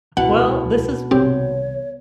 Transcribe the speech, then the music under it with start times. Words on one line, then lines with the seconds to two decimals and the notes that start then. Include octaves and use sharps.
Well, this has
0.17 D#1 C#2 B2 E4 F#5
1.11 C2 D#3 C4 G4 C#5